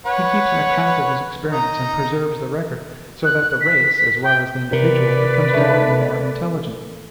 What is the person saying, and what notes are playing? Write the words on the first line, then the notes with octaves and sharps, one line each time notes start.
He keeps an account of his experience, and preserves the record; so that the race, as well as the individual, becomes more and more intelligent.
B4 C#5 F#5
D#4 A#5
F#6
B6
B6
G5
C3 A#4 B4 D5
A3 D#4